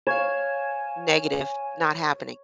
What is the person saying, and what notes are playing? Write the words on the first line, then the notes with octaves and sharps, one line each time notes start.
negative, not happening,
C#5 F5 G#5 G#6 E7